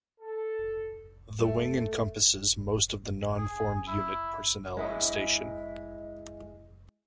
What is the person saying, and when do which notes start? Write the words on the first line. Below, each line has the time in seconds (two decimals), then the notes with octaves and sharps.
The wing encompasses most of the non-formed unit personnel on station.
0.20 A4
1.39 A3
3.38 G#4
3.88 E4
4.77 G#3 E4 G#4